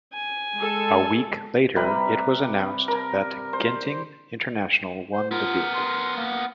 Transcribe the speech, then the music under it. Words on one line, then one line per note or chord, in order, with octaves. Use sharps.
A week later it was announced that Genting International won the bid.
G#5
G#3 A4
C3 G3 B4 A#5
A#4
C5
C5
B3 F4 A#4
C6
A#3